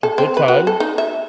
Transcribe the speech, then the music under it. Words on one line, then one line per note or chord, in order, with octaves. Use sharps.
a good time,
A4
C4
B4
F#4
A4
D#4
E5